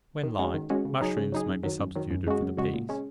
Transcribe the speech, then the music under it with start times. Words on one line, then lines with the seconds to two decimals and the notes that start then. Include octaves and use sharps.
When liked, mushrooms may be substituted for the peas.
0.24 D#3
0.39 G#3 C#4 F#4
0.54 D#3
0.70 G#3 C#4 F#4
0.85 C#3
1.01 F#3 D#4 G#4
1.17 C#3
1.32 F#3 D#4 G#4
1.48 F#2
1.63 D#3 F#3
1.80 F#2
1.96 D#3 F#3
2.11 F#2
2.27 C#3 G#3 F#4
2.42 F#2
2.57 C#3 G#3 F#4
2.74 A#2
2.89 G#3 C#4